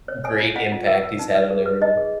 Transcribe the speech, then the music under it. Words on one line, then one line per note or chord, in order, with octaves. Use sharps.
great impact he's had on everyone.
C#5
C#5 G#5
F4
F4 F#5
F4
A#4
A#4
D#4
B4
G#4
B4
D#4 D#5
G#4